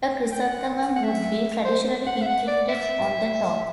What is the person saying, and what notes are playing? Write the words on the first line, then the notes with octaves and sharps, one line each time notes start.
A chrysanthemum would be traditionally imprinted on the top.
G5
F#5
F#5
E5
C5
F#5
E5
F#5
D5
E5